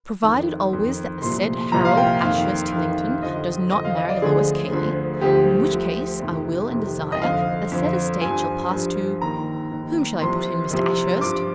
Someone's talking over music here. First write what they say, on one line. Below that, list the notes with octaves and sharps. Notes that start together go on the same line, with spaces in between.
'Provided always that the said Harold Ashurst Tillington does not marry Lois Cayley; in which case I will and desire that the said estate shall pass to----whom shall I put in, Mr. Ashurst?'
F2 D#3
F2 D#3
C2 A#2 F3 C6
C2 A#2 F3 A#5
F5
G5
F2 D#3 F5
F2 D#3
F2 D3 F3 D#5
F2 D3 F3 D#5
F5
D#5
D5
D2 D3 F3 G#4
D2 D3 F3
D2 D3 F3 G4
D2 D3 F3
F2 C3 D#3
F2 C3 D#3
D#5
F2 D3 F3 F5
F2 D3 F3
G2 F3 G#5
G2 F3
D#2 D#3 A#5
D#2 D#3
C2 C3 F3 C6
C2 C3 F3
G2 F3 D6